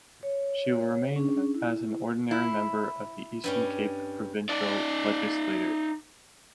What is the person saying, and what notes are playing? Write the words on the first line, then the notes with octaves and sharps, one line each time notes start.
She will remain as an ordinary member of the Eastern Cape provincial legislature.
C#5
C#4 D4 G#4
E4
E4
G2 G3 C#4
D#4 D5